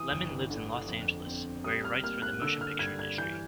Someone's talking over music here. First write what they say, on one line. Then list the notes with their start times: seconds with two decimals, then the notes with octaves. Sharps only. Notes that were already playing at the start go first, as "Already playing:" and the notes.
Lemon lives in Los Angeles where he writes for the motion picture industry.
Already playing: E3 D#6
0.11 G1
0.50 D3
0.88 F2
1.26 C4
1.64 G3 D#6
1.85 F6
2.03 A#3 F6
2.22 F#6
2.42 D3 E6
2.61 F6
2.79 G2 G#6
2.99 G#6
3.18 E3 G6